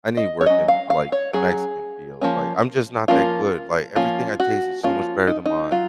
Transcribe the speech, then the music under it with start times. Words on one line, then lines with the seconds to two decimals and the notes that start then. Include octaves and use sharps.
I need to work in, uh, like, Mexican field. Like, I'm just not that good. Like, everything I taste is so much better than mine.
0.17 D#5
0.41 C#5
0.46 F#3 C#4 D#5
0.68 F5
0.90 F5
1.12 C#5
1.33 F#3 C#4 G#4
2.21 F3 A#3 C#4
3.08 F3 A#3 C#4 F4
3.96 F3 A#3 C#4 F4
4.40 F#4
4.83 F3 A#3 C#4 F4
5.27 D#4
5.46 D#4
5.71 F#3 F4